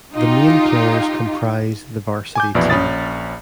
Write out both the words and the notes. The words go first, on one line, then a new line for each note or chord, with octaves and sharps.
The main players comprise the varsity team.
D#4 F4 G4
G#5 D6 G6
A#1 F2 B2 E3 E4 D5
A#1 C#4 B5 D#6 A6